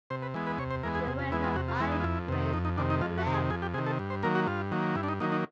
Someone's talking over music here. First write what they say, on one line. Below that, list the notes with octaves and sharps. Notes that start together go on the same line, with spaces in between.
She wears an iron brace on her leg.
C3 C5
B4
E3 G#3 B3
B4
C3 C#5
C5
E3 G#3 B3 A#4
G#4
C3 G#4
F4
E3 G#3 B3 E4
F4
C3 F#4
F4
E3 G#3 B3 E4
D#4
F4
F2 E4
C3 D#3
F2 D#4
D#4
C3 D#3 D4
D#4
F2 F4
F#4
C3 D#3
G#4
F2 G#4
G4
C3 D#3 G#4
A4
G2
C5
D#3 F#3 A#3 A#4
F#4
G2 F4
D#3 F#3 A#3
G2 E4
D4
D#4
D#3 F#3 A#3 D#4
D#4